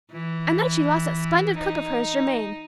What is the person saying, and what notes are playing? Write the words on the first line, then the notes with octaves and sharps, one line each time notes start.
And then she lost that splendid cook of hers, Germaine.
E3
D#4